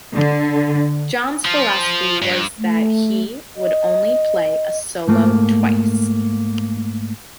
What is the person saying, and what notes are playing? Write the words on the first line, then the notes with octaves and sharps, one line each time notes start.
John's philosophy was that he would only play a solo twice.
D3
F3
G2
A3
D#5
G#2 A3 A#3